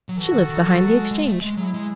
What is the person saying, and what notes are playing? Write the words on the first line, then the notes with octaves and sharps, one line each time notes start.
She lived behind the Exchange.
F#3
E3 F#4 A4
D#3
D#3
F#3
F#3
G#3
G#3
A3
G#3
F#3 E4 G#4
G#3